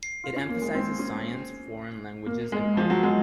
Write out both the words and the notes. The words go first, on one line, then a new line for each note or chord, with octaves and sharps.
It emphasizes science, foreign languages, and art.
F4
C#4
A#3
G#3
C4
C#4
A#3
G#3
F3
F#3
G#3